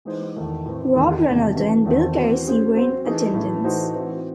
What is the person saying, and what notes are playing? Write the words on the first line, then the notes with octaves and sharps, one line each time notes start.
Rob Ronaldo and Bill Carinci were in attendance.
E3 G#3 D#4 G#4 C5
E2 D#3 A3
A2 E3 C4
E2 D#3 A3 D#4
E2 C3 D#3 A3 D#4
E3 A3 C#4 F#4
E2 D#3 A3 C4
E3 C4 F#4
F#3 C#4 G#4 C5
F#3 C4 F#4 C5
E3 A3 D#4 G#4
A2 E3 A3
E3 A3 D#4 F#4 C5
E3 C4 F#4